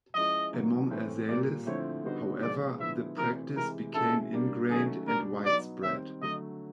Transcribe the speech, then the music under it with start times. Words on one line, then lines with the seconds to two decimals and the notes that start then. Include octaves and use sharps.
Among Azalis, however, the practice became ingrained and widespread.
0.14 F3 G#3 C#4 E4 D#5
0.53 C3 D#3 F#3 A#3
0.91 A2 E3 A3 C4
1.28 A#2 G3 A#3 D5
1.66 D3 F3 A3 C4 E4 C#5
2.04 D3 G3 B3 D#4 F#4 C5
2.43 A#2 F3 G#3 D5
2.80 D3 F3 G#3 B3 E4 E5
3.18 C3 E3 A3 C4 A#4
3.56 C3 E3 G#3 A#4
3.94 B2 G#3 C#4 E4 A4
4.33 G3 A#3 D4
4.70 D#3 F#3 A3 C#4 F#4 G#4
5.07 B2 G3 B3 D4 A#4
5.45 F#3 B3 D#4 D5
5.83 D#3 G3 C4 E5
6.21 D3 F#3 A3 D#5